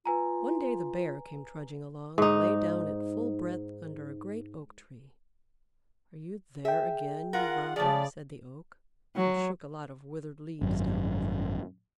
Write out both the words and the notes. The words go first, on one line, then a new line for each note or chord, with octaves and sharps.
One day the Bear came trudging along and lay down at full breadth under a great Oak Tree, "Are you there again, you robber?" said the Oak, and shook a lot of withered leaves down over him.
F4 B4 G#5 A#5
G#2 D#4
G#4 E5 G5
F4 A#4 F#5
C#3 F3 A3 G#4 D5
F#3
G#1 F#2